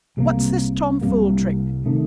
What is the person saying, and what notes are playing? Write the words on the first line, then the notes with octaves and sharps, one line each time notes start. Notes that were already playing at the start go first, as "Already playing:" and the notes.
What's this tomfool trick?
C2 C3 G3 A#3
C2 C3 G3 A#3
C3 D#3 A3